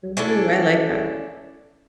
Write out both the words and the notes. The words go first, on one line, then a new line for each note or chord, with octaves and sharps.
Mhm. I like that.
C#4 D4 E4 A4